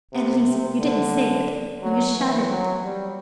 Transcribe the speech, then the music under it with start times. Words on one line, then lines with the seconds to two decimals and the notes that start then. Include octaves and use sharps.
"At least--you didn't say it--you shouted it!"
0.13 C3
0.47 C3
0.80 D3
1.82 F#3
2.16 E3
2.50 F#3
2.84 G3